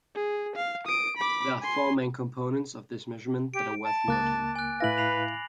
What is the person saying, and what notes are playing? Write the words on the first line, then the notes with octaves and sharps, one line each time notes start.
There are four main components of this measurement that are worth noting.
G#4
F5
D#6 D7
B5 D6
G#5 C6
G4 D7
A5
C#2 A#3 D6 F#6 A6
G#5 F#6
A2 E4 B4 F5 A#6 F#7
B5 C7 F7